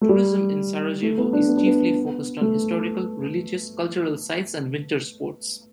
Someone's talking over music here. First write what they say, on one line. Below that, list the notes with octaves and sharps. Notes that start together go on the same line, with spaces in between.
Tourism in Sarajevo is chiefly focused on historical, religious, cultural sites and winter sports.
A3
G3
A3
B3
D4
B3
D4
B3
A3